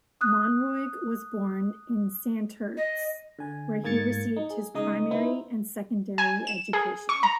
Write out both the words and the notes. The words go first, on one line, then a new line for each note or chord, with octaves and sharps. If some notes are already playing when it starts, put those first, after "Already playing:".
Monroig was born in Santurce, where he received his primary and secondary education.
D#6 F#6
D#5
D3 G#5
G#2 A#3 G#6 A6 C#7
D#4
G#4
C#3 G#3 D#4 D#5 D#6
B3 D#4 E4 C5
G#5
E7
G#4
C#6
A#5